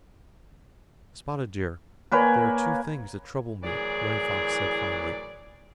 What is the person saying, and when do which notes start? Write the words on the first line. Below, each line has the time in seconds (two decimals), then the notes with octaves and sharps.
"Spotted Deer, there are two things that trouble me," Running Fox said, finally.
2.11 A#3 B4 C#5 G#5
3.63 A2 E3 F#3 G#4 A#4 D5